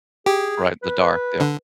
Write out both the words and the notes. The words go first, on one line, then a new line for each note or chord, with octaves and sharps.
Right, the Daughter Yup.
G4 G#4
B4
D3